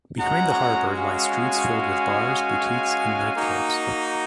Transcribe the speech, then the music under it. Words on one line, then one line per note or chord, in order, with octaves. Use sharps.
Behind the harbour lie streets filled with bars, boutiques and nightclubs.
G#3 C#4 F#4 F#5 A#5
F5 G#5
A#3 D#4 F#4